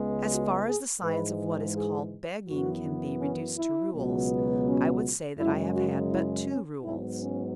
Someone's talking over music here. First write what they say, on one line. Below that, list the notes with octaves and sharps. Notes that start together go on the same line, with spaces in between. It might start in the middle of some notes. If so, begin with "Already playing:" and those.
As far as the science of what is called begging can be reduced to rules, I would say that I have had but two rules.
Already playing: C#2 C#3 G#3 B3
F#4
G#4
G#2 E3 G#3 B4
G#4
F#2 E3 B3 F#4
C#4
E4
C#2 B2 F#3 B3
C#4
F#2 C#3 G#3 E4
F#4
E4
C#4
G#2 F#3 B3 E4
C#4